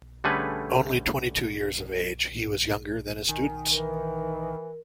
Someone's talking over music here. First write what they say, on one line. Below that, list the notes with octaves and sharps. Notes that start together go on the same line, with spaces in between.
Only twenty-two years of age, he was younger than his students.
D3 G3 A3 C#4 G#4 B4
D#3 G#5
E3 A#4